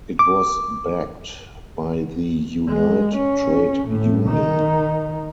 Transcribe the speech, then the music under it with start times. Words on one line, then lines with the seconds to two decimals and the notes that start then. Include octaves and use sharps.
It was backed by the Unite trade union.
0.19 D6
2.68 G#3
3.16 C#4
3.89 A2
4.28 D#3 D#4